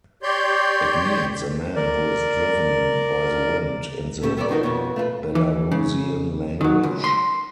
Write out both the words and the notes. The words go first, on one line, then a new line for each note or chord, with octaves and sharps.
It means a man who is driven by the wind in the Belarusian language.
G4 C#5 D5 C6 G6
A#4 D5
A3 B3 C#4 D#4 G4 A4
G3 B3 A4 B4 C#5 D5
D#3 F3 D#4 F#4 A#4
F2 B2 G3 B3 C#5
A3 F4 A4 B4
E3
C#3
D#3 F#3
C#2
C6